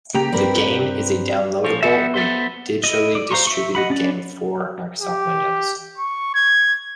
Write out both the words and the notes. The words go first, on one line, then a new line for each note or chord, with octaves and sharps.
The game is a downloadable or digitally distributed game for Microsoft Windows.
C#3 A#3 G4 A#5
G2 C4 A#4 B4 B5
A#2 F3 C#5
F3 G3 B3 F#4 E5
A4 B4 C5
E4 D#5
D5
C5 F5 A#5 C6 C#6
E5 C#6
D#5 F#5 B5
C#4 D4 D5 B5
G4
C#6
G#6